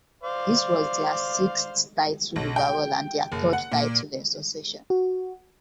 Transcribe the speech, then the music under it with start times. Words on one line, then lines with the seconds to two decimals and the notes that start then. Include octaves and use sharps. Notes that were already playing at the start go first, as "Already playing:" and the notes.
This was their sixth title overall and their third title in succession.
0.23 C5 D5 F5
2.36 B1
2.56 G5
3.32 F#1
3.53 F#5
3.72 A#2
4.90 F#4